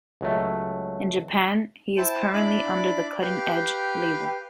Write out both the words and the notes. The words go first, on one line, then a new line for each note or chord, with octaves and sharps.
In Japan, he is currently under the Cutting Edge label.
C#2 F#3 A3
E4 C5 G5 A5
D4 E4 D5 B5 D6
G4 B4 F5 G5